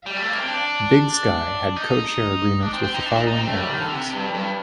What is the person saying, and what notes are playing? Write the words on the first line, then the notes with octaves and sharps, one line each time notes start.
Big Sky had code share agreements with the following airlines.
G3
A3
A#3
C4
D4
D#4
D4
C4
C4
D#4
D4
D#4
D#4
C4
A3
G3
D#3
D3
C3
G2
F2
G2